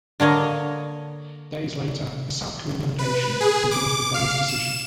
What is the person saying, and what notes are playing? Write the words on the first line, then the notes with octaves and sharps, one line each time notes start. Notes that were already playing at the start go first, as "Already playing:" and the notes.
Days later, a South Korean delegation endorsed the borough's decision.
D3 A#3 C#5 D#5
B4
G#4
D6
F5
E7